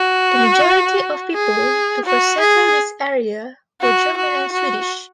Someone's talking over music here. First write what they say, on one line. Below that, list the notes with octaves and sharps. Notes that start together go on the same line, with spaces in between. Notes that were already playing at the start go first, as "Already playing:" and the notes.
The majority of people to first settle this area were German and Swedish.
Already playing: F#4
G#4
F#4
G#4
F#4
F#4
F#4